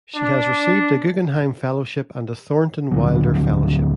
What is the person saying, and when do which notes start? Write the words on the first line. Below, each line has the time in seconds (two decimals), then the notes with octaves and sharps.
She has received a Guggenheim Fellowship and a Thornton Wilder Fellowship.
0.15 D4
2.91 D2 D3 F3 F#3